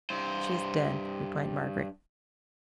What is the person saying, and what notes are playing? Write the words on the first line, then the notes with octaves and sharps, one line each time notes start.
'She is dead,' replied Margaret.
G2 C5